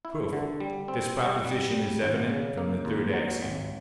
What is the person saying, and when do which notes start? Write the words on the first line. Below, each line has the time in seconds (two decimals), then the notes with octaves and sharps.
Proof.--This proposition is evident from the third axiom.
0.05 E4
0.33 D3
0.60 G3
0.88 C4
1.17 G3
1.45 G3
1.73 G3
2.02 G#1
2.30 C#3
2.58 A#3
2.85 D#2
3.13 F#3
3.42 G#1